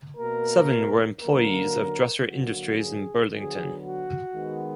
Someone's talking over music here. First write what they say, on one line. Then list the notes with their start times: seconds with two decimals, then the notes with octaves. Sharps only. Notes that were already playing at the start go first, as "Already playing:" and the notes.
Seven were employees of Dresser Industries in Burlington.
0.17 B2 A#3 A#4
1.21 D3 F#3 A#3 A#4
2.25 D3 F#3 A#3 F#4
2.77 G#4
3.30 D3 F#3 B3 G#4
3.82 F#4
4.34 D#3 G#3 B3